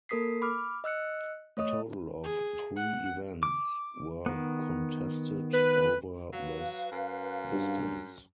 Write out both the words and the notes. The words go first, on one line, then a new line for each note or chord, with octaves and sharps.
A total of three events were contested over this distance.
A#3 A4 A#4 D#6 B6 C7
B5 D6 F6
D#5 E6 F#6 C#7
A3 C#5 D#5 D#6
G#4
F#5
D6
D#3 B3
B4
F#3 B4 F5
F#2
G2